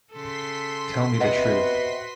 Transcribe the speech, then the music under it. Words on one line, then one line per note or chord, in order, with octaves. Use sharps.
Tell me the truth.
C#3 A4 C6 B6
C3 B3 F#4 B4 D#5 F#5